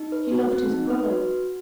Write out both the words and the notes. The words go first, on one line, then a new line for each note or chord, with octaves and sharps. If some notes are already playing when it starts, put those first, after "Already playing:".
She loved his brother.
Already playing: D#4
B4
F#4
C4
D#4
B4
F#4